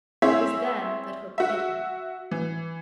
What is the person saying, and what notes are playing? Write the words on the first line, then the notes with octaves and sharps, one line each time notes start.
It was then that Hook bit him.
C4 E4 G#4 C#5 E5
F#4 E5
E3